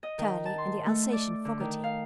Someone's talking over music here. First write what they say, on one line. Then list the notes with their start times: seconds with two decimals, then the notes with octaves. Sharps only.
Turley, and the Alsatian Foggerty.
0.03 D#5
0.18 D#3
0.45 A5
0.58 C6
0.86 A3
1.12 D5
1.45 D3
1.60 D#3
1.84 F5